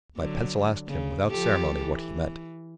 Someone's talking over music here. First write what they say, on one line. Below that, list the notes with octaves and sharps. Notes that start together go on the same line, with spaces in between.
My pencil asked him, without ceremony, what he meant.
D3 F#3
C#3
F3 G4 A4
E3